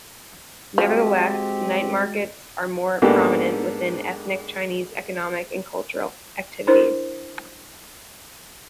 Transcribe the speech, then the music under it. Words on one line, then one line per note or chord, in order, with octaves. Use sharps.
Nevertheless, night markets are more prominent within ethnic Chinese economic and cultural activities.
F3 G#3 C4 F#4 G4
G#2 A#3 B3 D4 G4 A4
D4 E4 A#4 C5